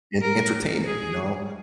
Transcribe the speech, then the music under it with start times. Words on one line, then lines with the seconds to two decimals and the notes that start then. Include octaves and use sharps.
en entertainment, you know?
0.22 A#4
0.87 G#4